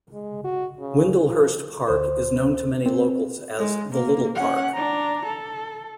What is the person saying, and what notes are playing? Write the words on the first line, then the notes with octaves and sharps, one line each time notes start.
"Windlehurst Park" is known to many locals as "the little park".
G#3
F#4
C#3
F3
D2 C5
C4
G#3
A#3
C#4 F#5
D4 A#5
A4